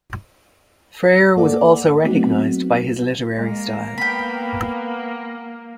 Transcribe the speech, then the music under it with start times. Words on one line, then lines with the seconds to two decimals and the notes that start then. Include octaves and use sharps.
Freyre was also recognised by his literary style.
1.36 G#2 A#3 A4 D5 F#5 D6
2.04 F#3 A3 B3 C4 D#4 F#4
3.38 G#3 A#3
3.98 B3 G5 B5